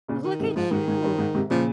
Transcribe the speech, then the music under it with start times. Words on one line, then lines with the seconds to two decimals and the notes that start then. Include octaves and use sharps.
look at you.
0.08 A#2 C#3
0.24 D#3
0.40 G#2 C3
0.56 G#2 F3
0.71 G#2 D#3
0.88 G#2
1.04 G2
1.18 G#2
1.34 G#2 C3
1.50 A#2 C#3 F3